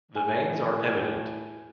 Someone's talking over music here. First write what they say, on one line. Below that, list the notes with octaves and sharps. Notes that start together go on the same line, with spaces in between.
The veins are evident.
A2 G#5